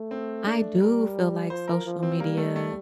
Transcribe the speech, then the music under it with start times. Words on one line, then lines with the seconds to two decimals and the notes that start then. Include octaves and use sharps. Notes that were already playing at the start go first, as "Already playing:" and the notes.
I do feel like social media
Already playing: A3
0.11 C4
0.46 D4
0.81 G3 A#4
1.50 F3 C5
1.68 A#4
1.86 F3
2.03 C4
2.20 G3 A#3
2.37 A3
2.56 A3